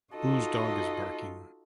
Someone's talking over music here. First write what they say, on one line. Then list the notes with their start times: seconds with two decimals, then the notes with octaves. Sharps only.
Whose dog is barking?
0.13 D#4 F4 F#4 A4 D#5